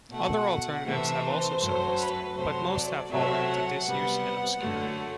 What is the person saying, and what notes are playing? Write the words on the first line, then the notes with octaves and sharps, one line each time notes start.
Other alternatives have also surfaced, but most have fallen into disuse and obscurity.
B2 A3 F#5
C3 E3 A3 E5
C5
F#2 F#3 A3
B4
C3 F#3 A3 C5
D5
C3 F#3 A3 E5
F#5
C3 G3 B3
F#2 D3 A3